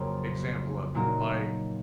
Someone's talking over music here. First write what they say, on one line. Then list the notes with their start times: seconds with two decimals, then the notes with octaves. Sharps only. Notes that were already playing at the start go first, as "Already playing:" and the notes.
example of it. Like,
Already playing: F2 C#3 F#3 A#3
0.94 A#2 F#3 A#3 D#4 F#4